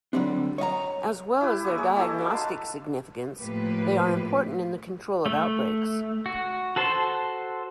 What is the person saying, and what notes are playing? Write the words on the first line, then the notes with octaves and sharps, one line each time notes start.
As well as their diagnostic significance they are important in the control of outbreaks.
D3 F#3 G3 C4 D4
C#5 D#5 F5 A#5
E4 G4 B4
A#3 C#5 D#6
G#4 C#5
E4 G4 A4 D#5
D#4 F#4 F5
B4 F5 A5 C6
A2 F3 A#3 F4 G4 B4
A3
F#4
F#4 A4 C5 A5 C6